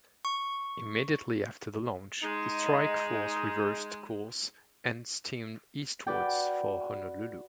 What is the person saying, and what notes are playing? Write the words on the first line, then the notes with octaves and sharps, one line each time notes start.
Immediately after the launch, the strike force reversed course and steamed eastwards for Honolulu.
C#6
G#3 D#4
F#4 B4 D5 G5